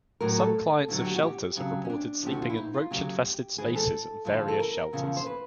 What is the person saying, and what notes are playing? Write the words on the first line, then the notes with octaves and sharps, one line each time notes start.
Some clients of shelters have reported sleeping in roach-infested spaces at various shelters.
A2 F#3 A#4
A4
D2 D3 F#3
F#4
G4
F#4
G4
F2 C#3 F#3
C#4
D4
D2 C3 F3 G4
F#4
F4
E4
D#4
F4
D2 C#3 F#3 G4
G#2 E3 G#4
A4
G2 D3 F3
A4
A#4
E2 C#3 F3
C5
B4